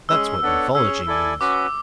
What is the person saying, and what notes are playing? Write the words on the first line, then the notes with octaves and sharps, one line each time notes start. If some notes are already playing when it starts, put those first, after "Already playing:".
That's what mythology means.
G#3 C#4 G#4 E6
B3 D4 A4 C#5
C#4 G#4 C#5 E6
E4 A4 D5 G#5
C#4 F#4 B4 D6